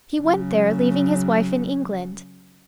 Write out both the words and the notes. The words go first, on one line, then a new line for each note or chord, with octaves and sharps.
He went there, leaving his wife in England.
C#3 F#3